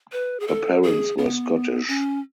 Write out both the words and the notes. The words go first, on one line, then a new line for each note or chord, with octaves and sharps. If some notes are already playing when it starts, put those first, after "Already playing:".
Her parents were Scottish.
B4
G#4
A4
G#4
B3
C#4